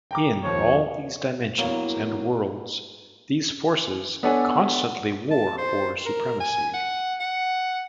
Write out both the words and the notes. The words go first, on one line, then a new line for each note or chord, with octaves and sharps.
In all these dimensions and worlds, these forces constantly war for supremacy.
G5 A#5 D6
D#2 F3 C#5
E2 G2 F#3 A#3
B3 D4 A4 C#5 F#5 G#5
A5
C5
A#4
G#5
F#5
F#5